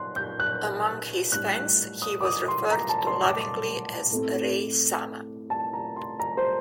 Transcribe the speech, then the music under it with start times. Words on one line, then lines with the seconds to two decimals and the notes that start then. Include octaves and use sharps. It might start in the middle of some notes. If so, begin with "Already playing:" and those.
Among his fans he was referred to lovingly as Rai-sama.
Already playing: D#4 C6 F#6
0.16 G6
0.40 F#6
1.32 A2 G3 D4 F#6
1.56 F#6
2.02 D#6
2.21 D6
2.25 D#6
2.48 C6
2.71 A#5
2.89 A5
3.07 C6
3.24 D6
3.41 D6
4.11 A2 A3 C4
5.50 A5
5.73 A#5
5.96 C6
6.20 A#5
6.37 C5